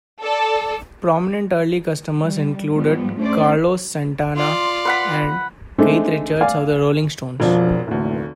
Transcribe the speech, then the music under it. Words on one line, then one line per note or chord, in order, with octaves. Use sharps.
Prominent early customers included Carlos Santana, and Keith Richards of The Rolling Stones.
A4 D5
G3
G#2 F3 G3 B3
A3 C#4 D4 C5 D5
F4 D5 C6
B4 F#5 B5
G#3 A3 C4 D4 D#4
D5 F5 G#5
E1 F2 F3 D4
F1 D2 A2 E3 A#3